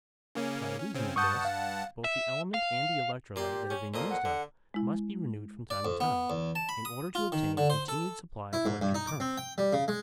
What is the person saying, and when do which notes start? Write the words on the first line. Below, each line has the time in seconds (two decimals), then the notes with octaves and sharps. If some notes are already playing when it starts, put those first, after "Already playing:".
By reason of this, both the element and the electrolyte that have been used up must be renewed from time to time, in order to obtain a continued supply of electric current.
0.35 C#3 A#3 C#4
0.80 C#4
0.95 C#3 C4 C#4
1.16 G2 F#5 A5 C#6 D#6 G6
1.45 F5
2.04 E5
2.54 F5
3.36 A#2 G4 D5 C6
3.70 C#4
3.94 F2 A#2 A#3 D#5
4.09 F#5
4.25 D3
4.74 G#3 E4
5.70 D5
5.85 F2
6.00 B3
6.30 E2
6.55 A5
6.69 B5
6.85 D#6
7.15 F4
7.32 D#3
7.57 D3
7.70 C5
7.88 A4
8.53 E4
8.66 G#2
8.81 G2
8.94 D#4
9.07 D6
9.20 C4
9.38 G5
9.58 G3
9.73 C#3
9.88 G#3